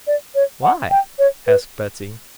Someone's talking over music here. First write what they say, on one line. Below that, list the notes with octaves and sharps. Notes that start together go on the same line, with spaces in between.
"Why?" asked Betsy.
D5
C#5
F#5
G5
C#5
B4